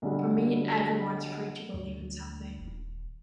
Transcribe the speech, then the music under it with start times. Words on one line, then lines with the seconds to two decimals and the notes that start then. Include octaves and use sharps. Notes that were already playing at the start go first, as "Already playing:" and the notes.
For me everyone's free to believe in something.
0.02 B1 D3 F#3 G3
1.74 D2
2.60 D#1